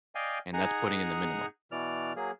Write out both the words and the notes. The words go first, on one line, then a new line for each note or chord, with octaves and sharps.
And that's putting in the minimum.
D5 D#5 F5 G5 G#5
D#4 G#4 F#5 G#5 A#5
B2 E3 D5 F6
F#3 A#3 G#4